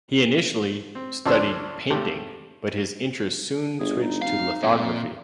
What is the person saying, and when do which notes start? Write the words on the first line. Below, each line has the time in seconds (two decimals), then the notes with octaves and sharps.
He initially studied painting, but his interests soon switched to lithography.
0.95 C4
1.26 D2 F3 C#4 D4 C5 E6
1.90 G#1 C3 A3 G4
3.80 G1 G#4
4.01 D#4
4.22 F1 F5
4.63 F2 A#2